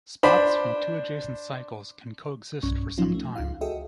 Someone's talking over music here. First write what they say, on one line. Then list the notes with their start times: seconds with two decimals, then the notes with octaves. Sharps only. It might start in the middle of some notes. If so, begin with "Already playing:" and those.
Spots from two adjacent cycles can co-exist for some time.
0.23 D4 C5 B5
2.63 B1 G2 C#4 C#6
2.98 F3 F#3 C#4 D#4 F4
3.15 A3
3.35 C#2 F4 F5
3.61 F#4 G#4 A4 D#5 E5 G5